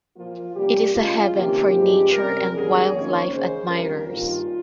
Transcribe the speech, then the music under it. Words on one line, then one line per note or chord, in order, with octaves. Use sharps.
It is a heaven for nature and wild life admirers.
A#2 F3 A#3 F4
C3 G3 A#3 C#4 G4
C#3 G#3 C#4 F4
C3 D#3 A#3 C#4 G4
G2 F3 G#3 C4
C3 G3 C#4 A#4
G#2 D#3 G3 A#3 C#4 G#4
F2 D#3 A#3 C#4 C#5
C#3 G#3 C#4 C5
F2 C#3 G3 A#3 A#4
G2 D#3 A#3 C#4 F4